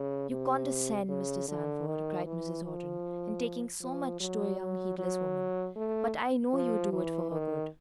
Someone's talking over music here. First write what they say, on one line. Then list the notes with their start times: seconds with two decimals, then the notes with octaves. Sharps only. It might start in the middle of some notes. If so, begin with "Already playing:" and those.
"You condescend, Mr. Sandford," cried Mrs. Horton, "in talking so much to a young heedless woman; but I know you do it for her good."
Already playing: C#3
0.30 C3
1.09 C#3
1.48 D3
1.87 D#3
2.26 E3
2.65 F3
3.81 F3
4.20 F#3
4.59 F#3
4.99 F#3
5.76 A3
6.53 F3
6.93 E3
7.31 D#3